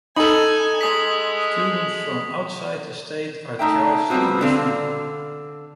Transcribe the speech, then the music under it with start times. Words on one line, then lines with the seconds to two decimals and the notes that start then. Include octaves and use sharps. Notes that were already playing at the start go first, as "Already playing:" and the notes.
Students from outside the state are charged tuition.
0.16 D#4 A4 G#5 B5 F#7
0.81 G#3 D#6 B6
3.59 A3 B3 D#4 E5 G5
4.10 F3 G3 G#3 B3 C4 F#4
4.41 D3 C4 F5